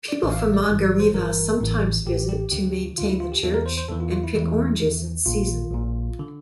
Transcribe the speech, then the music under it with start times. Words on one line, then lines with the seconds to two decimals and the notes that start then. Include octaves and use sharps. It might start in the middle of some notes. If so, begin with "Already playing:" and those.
People from Mangareva sometimes visit to maintain the church and pick oranges in season.
0.08 D5
0.23 A1 A2 E3
0.32 F5
0.39 E5
0.54 D5
0.69 G1 G2 E3
0.85 D5
1.00 C5
1.14 G1 G2 E3 A#4
1.61 A1 A2 E3
2.06 A1 A2 E3 G4
2.29 G4
2.52 D2 D3 G4
2.98 D3 F4
3.01 D2
3.09 E4
3.20 F4
3.32 G4
3.43 E2 E3 A4
3.54 A#4
3.66 C5
3.77 C5
3.88 E2 E3 A4
4.00 F4
4.12 F4
4.23 E4
4.35 E2 E3
4.80 E2 E3
5.26 A#1 A#2 F4
5.72 A#1 A#2
6.19 D3